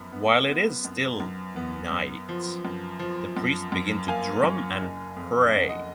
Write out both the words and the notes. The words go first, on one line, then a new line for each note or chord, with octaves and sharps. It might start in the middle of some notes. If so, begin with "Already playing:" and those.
While it is still knight, the priest begins to drum and pray.
Already playing: F#2 F3 B3 B5
B3
B3
F#2
F#2
B3
F#2
F3
F#2
F3
F#2
F#2
A#3 F5 G#5
F#2
F#1
F2
F2 D#5 F#5
D#5 F#5